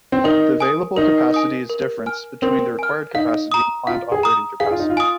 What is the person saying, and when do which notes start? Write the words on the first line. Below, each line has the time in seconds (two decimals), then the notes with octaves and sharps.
The available capacity is difference between the required capacity and planned operating capacity.
0.12 C4
0.24 D#4 A#4
0.60 G#5 D#6
0.96 D#4 A#4
1.34 G#5 D#6
1.70 A#4
2.06 G#5 F6
2.42 C4 A#4
2.79 G#5 F6
3.15 D#4 F5
3.52 A#5 D#6
3.87 F4 F5
4.12 G#4
4.23 A#5 D#6
4.60 G#4 F5
4.71 F4
4.80 D#4
4.90 F4
4.97 G#5 D#6